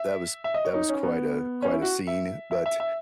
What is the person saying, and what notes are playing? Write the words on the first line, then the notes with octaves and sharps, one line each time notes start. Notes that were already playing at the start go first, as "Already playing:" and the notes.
that was that was quite a quite a scene, but
Already playing: E5
E5
D#5
C#5
D#4
C#4
B3
C#4
E4
F#4
E5
E5
E5
E5